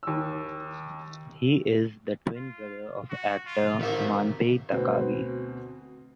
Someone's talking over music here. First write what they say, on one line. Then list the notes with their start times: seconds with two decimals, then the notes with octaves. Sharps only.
He is the twin brother of actor Manpei Takagi.
0.03 D#2 E6
2.36 F4
3.10 F#4
3.46 F4
3.81 A1 D#3 A#3 C4 E5
4.71 D2 B2 B3 C4